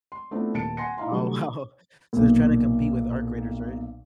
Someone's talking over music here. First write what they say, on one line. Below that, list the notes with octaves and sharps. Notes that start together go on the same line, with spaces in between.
Oh, wow. So, they're trying to compete with Arc Raiders, right?
C6
A3 B3 C4 D4 E4 F4
D#1 A#3 A5 C#7 D7
F#5 G#5 C6 A#6 C#7
D#4 E4 D#5 F5 A#5 C6
D3 E3 F#3 G3 A3
B1 A#2